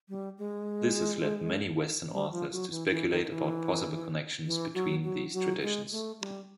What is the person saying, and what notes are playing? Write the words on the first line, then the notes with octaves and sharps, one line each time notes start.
This has led many western authors to speculate about possible connections between these traditions.
G3
G#3
G3
F3
F#3
E3
E3
D#3
D#3
E3
E3
F#3
F#3
F#3
G#3
A3
G3